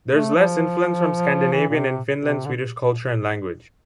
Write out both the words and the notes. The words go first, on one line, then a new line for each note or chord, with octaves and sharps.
There is less influence from Scandinavian and Finland-Swedish culture and language.
A3
F3
E3
A#2
C3
C3
D3